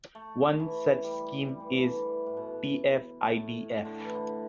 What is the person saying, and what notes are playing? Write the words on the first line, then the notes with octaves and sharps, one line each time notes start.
One such scheme is tf-idf.
A3
E3
G3
G3
E3
D3
E3
A2
B2
A2
A2
D3
E3
D3